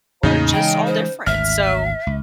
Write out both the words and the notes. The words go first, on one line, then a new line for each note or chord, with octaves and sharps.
we're just all different, so
E2 A2 C#3 A#3 D#4 D#5
E3 F#3 G#3 G5
C5
G#1 D2 E5 F6
C#2